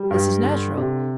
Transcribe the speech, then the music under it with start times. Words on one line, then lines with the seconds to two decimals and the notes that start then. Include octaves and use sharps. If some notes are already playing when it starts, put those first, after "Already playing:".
This is natural.
Already playing: G3
0.11 G2
0.43 D3
0.78 C3